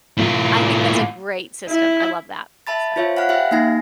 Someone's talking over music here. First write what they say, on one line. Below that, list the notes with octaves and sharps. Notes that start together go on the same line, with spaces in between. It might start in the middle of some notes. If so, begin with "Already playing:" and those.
I think that's a great system, I love that, so,
A2 F4
E4
E5 A5 B5 A6
F4 C5 C#5 E5 F5
F5 F#5 G#5 B5 F6 F#6
G4 E5 F5 G5 F6
A#3 D#4 G#5 A#6 C7